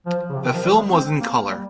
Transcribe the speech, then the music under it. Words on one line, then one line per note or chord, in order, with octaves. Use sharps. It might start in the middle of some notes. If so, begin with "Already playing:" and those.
The film was in colour.
F3
C#3
C3
D#3
F3
G3
G#3
C4
A#3
G3